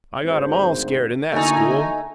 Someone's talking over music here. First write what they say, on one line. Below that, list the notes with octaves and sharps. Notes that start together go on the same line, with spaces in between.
"I got 'em ALL scared in THAT school."
G#1 D2 C5
D3 A3 A#3 D#4 E4 F#4 G#5 A#5